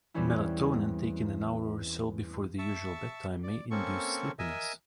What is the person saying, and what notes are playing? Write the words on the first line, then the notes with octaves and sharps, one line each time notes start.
Melatonin taken an hour or so before the usual bedtime may induce sleepiness.
E2 E3 G3 C4 C#4 E4
E5 A5 C#6
D5
A#3 C4 C#4 A4 C#6
A#4 D#5 E5 G#5